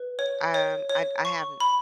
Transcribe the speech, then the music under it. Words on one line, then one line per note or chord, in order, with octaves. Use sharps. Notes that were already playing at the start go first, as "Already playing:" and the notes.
Um, I I haven't
Already playing: B4
C#5
C#5
C#5
C#6
B5